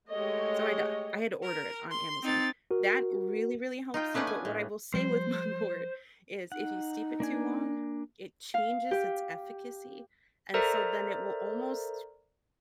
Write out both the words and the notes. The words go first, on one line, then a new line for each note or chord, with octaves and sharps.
so I had uh I had to order it on Amazon. That really, really helps you, but what I will say with mugwort is, if you steep it too long, it changes its efficacy and so then it will almost
G#3 A3 G4 C#5 D#5
A#4
C6
C4 D#4 A6
F#4 A#4
D#4 F4 G5
A3 B3 C#4 D4 B4
G#5
A2
F3 G3 C5
D#4 F#5
A#3 D4 G#5
F5
G4
A4 A#4 C5 D5 E5 A#5